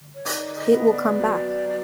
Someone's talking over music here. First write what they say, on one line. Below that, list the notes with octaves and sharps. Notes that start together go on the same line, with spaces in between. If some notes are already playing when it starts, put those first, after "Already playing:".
It will come back.
C#5
D#4 D5
D#5
B3
D5
F#3
F#3